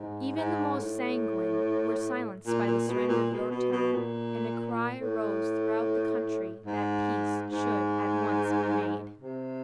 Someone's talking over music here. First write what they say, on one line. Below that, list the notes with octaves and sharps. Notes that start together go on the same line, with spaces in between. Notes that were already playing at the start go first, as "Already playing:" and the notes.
Even the most sanguine were silenced by the surrender of Yorktown, and a cry arose throughout the country that peace should at once be made.
Already playing: G#2
G#2
A2
A#2
A#2
B2
A#2
B2
B2
B2
A#2
A2
G#2
G#2
C3